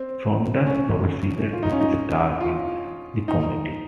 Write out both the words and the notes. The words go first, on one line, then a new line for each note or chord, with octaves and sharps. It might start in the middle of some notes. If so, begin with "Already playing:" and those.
Saunders proceeded to star in the comedy.
Already playing: C4
C#4
F4
D#4
C#4
D#4
F4
D#4